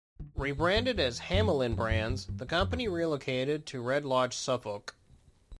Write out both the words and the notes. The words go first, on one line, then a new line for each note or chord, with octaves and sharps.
Rebranded as "Hamelin Brands", the company relocated to Red Lodge, Suffolk.
D3
C#3
A2
G2
E2
F#2
F#2
F#2
G2
G2
E2
F#2
E2
F#2